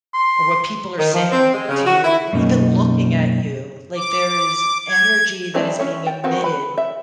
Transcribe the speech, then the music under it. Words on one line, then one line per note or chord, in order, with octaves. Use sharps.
Or what people are saying to you or even looking at you, like, there is energy that is being emitted.
C6
D#3
F3
C4
G#3
C#3
F#4
E4
F#2 B2 A#3 C#4 D#4
D6
G#6
F#3 G#3 C4 D4 E4
C#4 E4 C#5
G5
D#3 B3 C4 F#4
B4 B5
E5